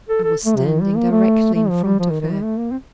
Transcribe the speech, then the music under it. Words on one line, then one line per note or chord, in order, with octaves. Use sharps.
I was standing directly in front of her.
A4
A4
A3
C3
D#3
G3
A#3
A3
A3
F3
G3
F3
D#3
D#3
G3
A3
A#3
C4